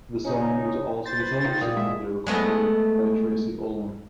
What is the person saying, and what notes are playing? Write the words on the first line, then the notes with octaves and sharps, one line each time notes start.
The song was also subsequently recorded by Tracey Ullman.
C#3 C#4 D#4
C5 A6
B4
D#3 D#4 F4
A#2 D#6
G#3 E5
G#3 A3 B3